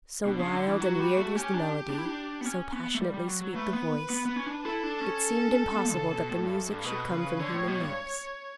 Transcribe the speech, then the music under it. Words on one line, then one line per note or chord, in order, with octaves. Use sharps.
So wild and weird was the melody; so passionately sweet the voice, it seemed impossible that the music should come from human lips.
B2 D4
C#3
D3
E3
F#3 F#4
G3
A3
C#4 G4
D4
D4
E4
D4
B3
C#4
B3
A3
G3
G3
F#3
F#3
A3 B4
B3
B3
B3
C#4
D4
E4 A4
D4
C#4
B3
C#3
B2
A2
G2
F#2
G2
B2 B4
C#3
D3 C#5
A2
B2
G2